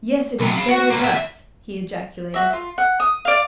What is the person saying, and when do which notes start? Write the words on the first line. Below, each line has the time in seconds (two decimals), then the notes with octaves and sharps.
"Yes, it is better thus," he ejaculated.
0.40 B1 C3
0.56 F5 B5
0.69 F#4
0.90 A2 A#3
1.03 B3 E5
2.34 F#4 E5
2.53 F4
2.78 F#5
3.00 D#6
3.25 D5 F5